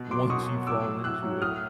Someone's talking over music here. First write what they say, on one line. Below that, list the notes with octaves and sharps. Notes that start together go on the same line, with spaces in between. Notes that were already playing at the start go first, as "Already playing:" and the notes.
once you fall into it,
Already playing: B2
F#3 C6 D6
B2 C#6 D#6
F#3
A2 D6 E6
F#3
A2 E6 F#6
F#3
A2 D#6 F6